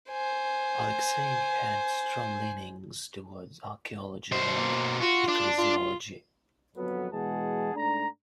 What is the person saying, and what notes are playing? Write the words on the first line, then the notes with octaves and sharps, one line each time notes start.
Alexei had strong leanings towards archaeology and ecclesiology.
C5 G#5
B2 C5
A#3
F4 F#4
D4
F4
G1 F2 F#3 B3 A4 B4
B2 E3 G#3 G#4 F#5 A5
G#2 A3 D4 A#5